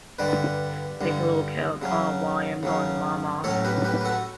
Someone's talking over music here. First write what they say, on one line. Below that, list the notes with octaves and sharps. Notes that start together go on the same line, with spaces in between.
Take a little care of Pa while I am gone, Mama!
G2 D3 G3 B4 D5
G2 D3 G3
C#3 F#3 C#4
C#3 F#3 C#4
A2 F#3 C#4 A4 C#5
G4 B4
G4 B4
B4
F#4 A4